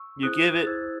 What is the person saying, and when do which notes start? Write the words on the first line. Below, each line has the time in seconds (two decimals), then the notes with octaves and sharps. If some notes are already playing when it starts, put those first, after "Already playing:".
you give it,
Already playing: C#6 E6
0.23 E4 G#4 C5 D#6 F#6
0.56 A6
0.66 E4 G#4 C5 E6 G#6